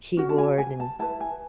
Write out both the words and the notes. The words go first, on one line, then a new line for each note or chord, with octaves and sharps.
keyboard and
C#4 F#4
A5
G#5
G#5
A5
E4 B4 A5
G#5